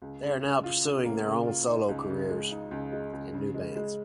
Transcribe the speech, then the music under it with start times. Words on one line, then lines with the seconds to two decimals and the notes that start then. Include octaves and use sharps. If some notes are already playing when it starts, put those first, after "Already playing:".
They are now pursuing their own solo careers and new bands.
0.02 C#2
0.22 C#3
0.43 C#3
0.64 F4
0.85 C#3
1.05 A#3
1.26 C#3
1.47 F4
1.68 D#4
1.89 C#2
2.09 C#3
2.30 G#3
2.50 D#4
2.71 C#2
2.92 G#3
3.13 C#2
3.34 C#3
3.54 G#3
3.75 G#3